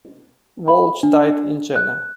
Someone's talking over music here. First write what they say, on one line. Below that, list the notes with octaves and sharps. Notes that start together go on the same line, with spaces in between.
Walch died in Jena.
B5
D4
F#6